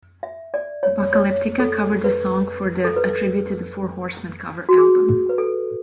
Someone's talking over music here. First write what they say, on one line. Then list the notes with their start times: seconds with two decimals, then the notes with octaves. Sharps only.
Apocalyptica covered the song for the "A Tribute to the Four Horsemen" cover album.
0.23 E5
0.54 D5
0.83 C#5
1.14 C#5
1.60 A4
2.04 B4
2.85 A4
2.96 B4
4.69 F#4
4.78 G#4
5.29 B4
5.38 A4